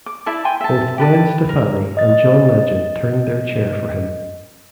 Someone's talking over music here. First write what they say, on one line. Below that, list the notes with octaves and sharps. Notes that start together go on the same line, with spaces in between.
Both Gwen Stefani and John Legend turned their chair for him.
D6
E4 D5 E5 A5
G5 G#5 C6
E5 A5
G4 B4 A5
A#4
D#5 A6